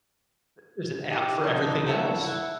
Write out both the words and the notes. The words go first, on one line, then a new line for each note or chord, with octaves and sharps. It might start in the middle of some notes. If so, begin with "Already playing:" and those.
Th there's an app for everything else.
D#4 G4
F2 D3 D#4
C#3 A4 E5 F#5
E4